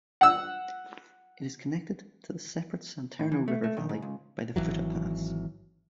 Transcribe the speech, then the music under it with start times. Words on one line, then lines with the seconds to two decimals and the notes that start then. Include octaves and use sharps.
It is connected to the separate Santerno river valley by the Futa Pass.
0.21 F#5 E6
3.19 A2
3.32 E3
3.48 A3
3.64 A3
3.77 D#3
3.89 G#2
4.02 C#2
4.56 G#1 F2 E3 F#3